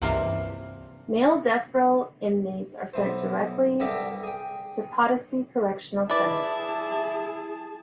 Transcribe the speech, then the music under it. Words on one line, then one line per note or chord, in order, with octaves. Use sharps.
Male death row inmates are sent directly to Potosi Correctional Center.
C#2 G2 C3 E3 F3 A#3
B1 E3 C5
C2 G2 D3 G4 E5 G5
G#4 G5
E4 G#4 B4 D5 A5